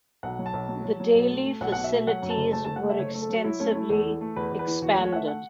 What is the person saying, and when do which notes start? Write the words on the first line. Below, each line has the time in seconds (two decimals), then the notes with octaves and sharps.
The daily facilities were extensively expanded.
0.23 B1 F#5
0.39 F#3
0.46 A5
0.54 B1
0.69 F#3
0.84 F#3
1.00 F#3
1.15 B1
1.31 A3
1.46 A3
1.61 B1 F#5
1.72 B2 F#5
1.84 E5
1.92 A3
2.07 F#3 F#5
2.22 F#2
2.30 A5
2.37 F#1
2.53 A3 A5
2.65 F#1 A5
2.76 F#5
2.83 A3
2.90 E5
2.99 F#1 C#5
3.14 A3
3.22 A4
3.30 F#3 F#4
3.44 F#3 E4
3.59 A3 C#4
3.70 C#4
3.75 A3 E4
3.90 E2 A4
4.06 E3
4.21 A3
4.36 E2 B4
4.51 E2
4.59 B4
4.67 E3
4.82 E2 F#4
4.93 C#5
4.97 A3
5.05 C#5
5.12 A3 F#5
5.16 E5
5.27 F#5